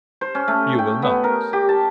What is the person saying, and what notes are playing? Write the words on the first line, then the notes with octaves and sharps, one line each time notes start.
"You will not."
C5
C#4
A3
G5
B3
A#4
G4
A5